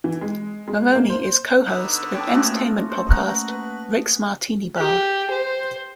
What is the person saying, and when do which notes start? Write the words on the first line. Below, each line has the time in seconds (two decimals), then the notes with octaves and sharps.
Maroney is co-host of entertainment podcast Rick's Martini Bar.
0.04 E3
0.21 G#3
0.68 G#3
0.95 A#3
1.10 C5
1.67 D3 B3 D#4 E6
2.15 C#5 D5 G5 A5
2.33 A3 A#3 C#4 D4 F4 F#4
2.90 C5 C#6 E6
3.07 F#4 D#5 A5 A#5
3.48 B4
4.78 G4
5.31 C5